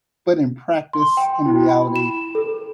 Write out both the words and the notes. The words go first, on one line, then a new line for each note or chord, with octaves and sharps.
but in practice, in reality,
C6
G5
E4
B5
E7
A4